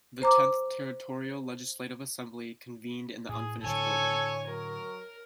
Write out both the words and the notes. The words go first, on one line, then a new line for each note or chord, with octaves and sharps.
The Tenth Territorial Legislative Assembly convened in the unfinished building.
C5 A#5 D6
A2 G#4
A2 D3 A4 C#5 G#5
F#3 A#4